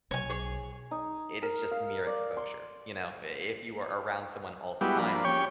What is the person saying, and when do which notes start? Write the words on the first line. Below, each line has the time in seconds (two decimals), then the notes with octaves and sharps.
it is just mere exposure. You know, if you are around someone all the time,
0.11 B1 C#5 G#5
0.29 G#4 C#5
0.91 D#4
1.42 A#4
1.71 F5
2.07 D5
2.37 C6
4.81 G3 G#3 B3 E4 F#4 G4
4.99 F3 A#3 D4 B5
5.24 C#4 G4 C#5 G5 C#6